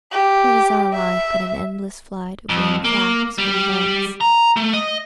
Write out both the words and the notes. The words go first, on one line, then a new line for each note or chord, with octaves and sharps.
What is our life but an endless flight of winged facts or events?
G4
E5
F2
A#3
G3
A#5
A3
D#5